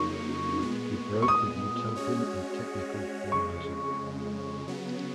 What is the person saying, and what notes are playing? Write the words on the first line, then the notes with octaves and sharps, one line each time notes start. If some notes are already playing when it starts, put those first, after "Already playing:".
He broke with utopian and technical formalism.
Already playing: F2 C#3 F#3 A#3 D#4 C#6
A#2 G#3 B3
C#6
D#6
G#3 C#4 F#4 C#5
F2 C#3 G#3 C#6
C#3 F#3 B3